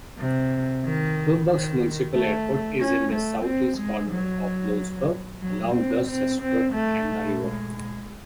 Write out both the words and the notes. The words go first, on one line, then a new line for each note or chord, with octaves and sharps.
Bloomsburg Municipal Airport is in the southeast corner of Bloomsburg, along the Susquehanna River.
C3
D#3
D#3
A3
C#4
A3
C4
G#3
F#3
F#3
C4
C4
C4
A3
G#3